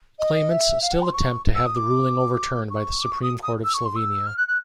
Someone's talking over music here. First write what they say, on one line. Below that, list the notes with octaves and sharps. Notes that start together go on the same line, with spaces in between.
Claimants still attempt to have the ruling overturned by the Supreme Court of Slovenia.
D#5
E5
F5
F#5
C6
C#6
E6
D#6
D6
C#6
D6
C#6
D#6
D#6
E6
C#6
C6
E6
F6
F#6
F#6